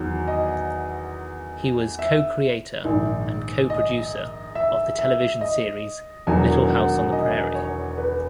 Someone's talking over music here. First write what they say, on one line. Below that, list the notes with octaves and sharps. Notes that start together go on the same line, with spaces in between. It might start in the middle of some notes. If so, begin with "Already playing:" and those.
He was co-creator and co-producer of the television series Little House on the Prairie.
Already playing: E2 D#3 F#3
D#5
E5
A#1 G#2 D#3
D#5
E5
E5
D#5
E1 E2 D#3 F#3 G#5
F#5
D#5
C#5
B4